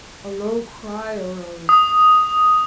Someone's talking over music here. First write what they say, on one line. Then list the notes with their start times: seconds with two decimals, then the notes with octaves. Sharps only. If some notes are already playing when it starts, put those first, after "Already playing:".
A low cry arose.
1.69 D#6